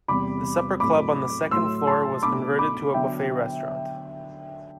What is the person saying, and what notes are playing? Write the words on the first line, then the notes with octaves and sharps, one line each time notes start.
The supper club on the second floor was converted to a buffet restaurant.
E2 C3 G3 B5 D6
A2 F#3 A3 C4 B5 D6
A2 F#3 A3 E4 C6 E6
A5 C6
B2 A3 D4 B5 D6
B5 D6
D3 F#3 B3 D4 E5 G5